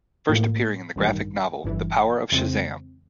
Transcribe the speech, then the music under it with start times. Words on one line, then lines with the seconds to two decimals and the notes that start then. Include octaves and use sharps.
First appearing in the graphic novel The Power of Shazam!
0.29 B1 A2 F3 A#3
0.96 A1 G2 D#3 G3
1.64 G1 G2 E3
2.32 F2 C#3 E3 G#3 C4